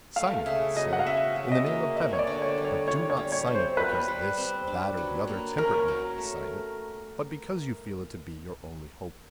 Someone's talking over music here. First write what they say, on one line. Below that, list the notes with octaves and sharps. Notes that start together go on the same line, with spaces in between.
Sign it, I say, in the name of Heaven; but do not sign it because this, that, or the other temperate man has signed it, but because you feel it to be your only hope.
A3 F5
C#3 E5
F#3 D#5
F#5
F5
C#4 E5
F#3
D#5
A#3
C4 D#5
C#5
D5
D3
C#5
G3
C#5
F4 C#5
C#5
G3
C#5
C4
C5
F4 B4
G3
C4
D4
F#3
A#3
C#4 A#4
F#3
A3